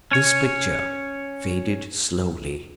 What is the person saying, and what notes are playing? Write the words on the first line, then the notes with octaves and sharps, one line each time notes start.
This picture faded slowly.
C#4 C#5